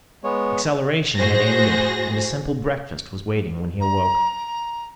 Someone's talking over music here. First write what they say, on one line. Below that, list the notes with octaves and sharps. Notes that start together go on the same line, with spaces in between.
Acceleration had ended, and a simple breakfast was waiting when he awoke.
G#3 B3 C#5
A2 F#4 G#4 C5 A#6
A#5